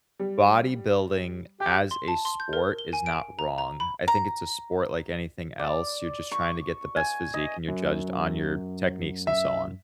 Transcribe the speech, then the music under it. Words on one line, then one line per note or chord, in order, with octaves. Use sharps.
bodybuilding as a sport is not wrong. I think it's a sport like anything else, you're just trying to get the best physique, and you're judged on your techniques and so on.
G3
G4 G5
C6
A5
C6
G6
A#4
G7
G#5
D7
A#5
A#5
B5
A#5
D5
C#6
G#5
D#5
F#2
E5